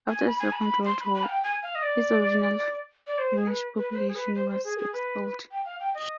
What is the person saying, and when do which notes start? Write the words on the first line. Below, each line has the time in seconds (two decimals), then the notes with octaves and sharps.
After the Second World War, its original Finnish population was expelled.
0.08 G#5
0.27 B5
0.39 G#5
0.52 B5
0.85 C6
1.00 B5
1.14 B5
1.23 F5
1.29 G5
1.43 G#5
1.63 F5
1.75 D#5
1.82 D5
3.07 D5
3.18 C5
3.36 G#4
3.47 B4
3.76 B4
3.92 B4
3.96 C5
4.08 G#4
4.15 B4
4.35 C5
4.49 C5
4.64 G#4
4.78 G#4
4.93 B4
5.51 G5
5.66 F5
5.80 G5
5.95 D#5